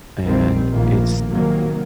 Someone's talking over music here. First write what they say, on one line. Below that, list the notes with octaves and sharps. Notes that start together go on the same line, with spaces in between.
and it's
A#1 D#3 G3 C4
A#1 A2 D#3 A#3
C3 D#3 F#3 A#3